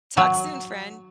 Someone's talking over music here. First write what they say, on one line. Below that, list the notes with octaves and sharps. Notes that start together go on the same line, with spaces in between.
Talk soon, friend.
F#3